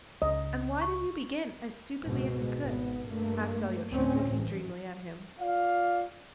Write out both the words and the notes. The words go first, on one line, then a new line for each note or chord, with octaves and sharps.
"And why did you begin 'as stupidly as you could'?" asked Alyosha, looking dreamily at him.
C#2 D#5
C#6
C#2 G#2 B2
G#1 B3
G2 A3 A#3
D2 A2 C4 C#4
A1
F4 D5 F5